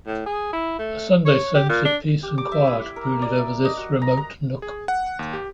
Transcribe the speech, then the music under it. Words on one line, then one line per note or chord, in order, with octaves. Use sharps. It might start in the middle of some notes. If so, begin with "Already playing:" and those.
A Sunday sense of peace and quiet brooded over this remote nook.
A2
G#4
E4
A3
C#5
G4
A#2
D4
G4
D6
E5
E4
A#4
D5
E5
D#5
F#4
A#5
A#5
G#4
F#5
D#2
G4